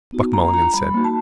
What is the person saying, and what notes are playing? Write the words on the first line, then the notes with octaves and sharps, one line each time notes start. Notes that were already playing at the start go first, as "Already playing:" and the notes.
Buck Mulligan said.
B3 D#4 F#4
A#3 A#5
D4 F4 A#5
G3 B5
A#3 D#4 F#4
A5